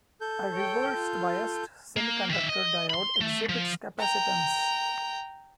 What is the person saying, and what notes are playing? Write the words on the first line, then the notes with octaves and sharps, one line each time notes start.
A reversed-biased semiconductor diode exhibits capacitance.
A4 G6
C#5 G5
F4
A#3
D#3 E5
D#5
B5 C6
A3
F3
G5 A#5